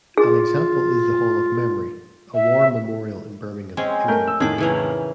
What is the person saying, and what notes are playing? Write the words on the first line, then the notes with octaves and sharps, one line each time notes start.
An example is the Hall of Memory, a war memorial in Birmingham, England.
F4 G#4
E5
G#3 C4 C#4
A3 A#4 G6
E6
F2 A2 D#3 G#4 D6
C#3 E3 A#4